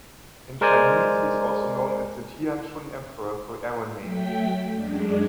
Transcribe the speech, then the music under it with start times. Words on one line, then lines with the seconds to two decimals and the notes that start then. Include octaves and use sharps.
In Chinese he is also known as the Tianshun Emperor for era name.
0.61 G#3 A#4 C5 D5 G#5
3.99 F#3 A3 G5 B6
4.72 F#2 G#3 D4